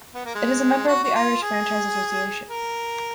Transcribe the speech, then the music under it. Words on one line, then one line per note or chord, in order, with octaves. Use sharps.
It is a member of the Irish Franchise Association.
B3
A#3
G#3
F#4
F#4
F4
G#4
A#4